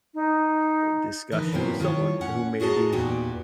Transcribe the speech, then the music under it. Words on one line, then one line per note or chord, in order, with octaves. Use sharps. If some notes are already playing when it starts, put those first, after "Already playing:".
uh, discussion with someone who maybe
D#4
D3 E3 D#4 A#4 B4
G2 B2 F#3 A#3 C4 E4
D#3 F4 A4 B4 C#5
C#4 F#5
A2 F#4 G#4 D#5 A5 A#5
E2 A#2 B3 D#4 F#4 G4